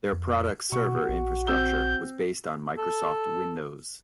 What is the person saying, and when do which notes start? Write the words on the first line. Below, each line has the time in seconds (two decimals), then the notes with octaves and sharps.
Their product's server infrastructure was based on Microsoft Windows.
0.13 F2
0.72 B2 F#4 C#6
1.09 A#1
1.47 C4 E6 G6 G7
2.78 A4